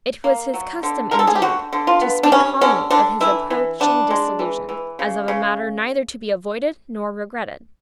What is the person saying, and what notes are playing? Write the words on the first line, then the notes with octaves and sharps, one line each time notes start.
It was his custom, indeed, to speak calmly of his approaching dissolution, as of a matter neither to be avoided nor regretted.
A#3
F#3
D3
D3 A#4
A4
G#4
G4
D3 F#4
D3
F4
B3
D4
G3 C#4
D3 C#4
D3 D4
E3 E4
E3
B3 D4
G#3
E3
E3
C#3
C#3